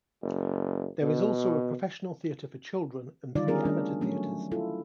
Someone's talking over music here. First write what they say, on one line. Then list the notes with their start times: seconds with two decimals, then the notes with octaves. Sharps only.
There is also a professional theatre for children and three amateur theatres.
0.22 F#1
1.02 B2
3.35 D3 D#3 G3 D#4 F4 D5
3.48 B3 C#4 D#4 G#4 A#4
3.65 G3 A3 C#4 D4
4.01 F#3 A3 C#4
4.52 E4 F4 A4